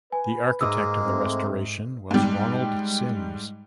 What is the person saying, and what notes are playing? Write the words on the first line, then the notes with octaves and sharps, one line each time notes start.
The architect of the restoration was Ronald Sims.
B4 G#5
G#2 G#3 A#3 D#5 D#6 E6
A3 C4
G#2 G3